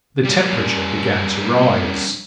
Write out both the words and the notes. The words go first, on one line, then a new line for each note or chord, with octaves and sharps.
The temperature began to rise.
G3 C#4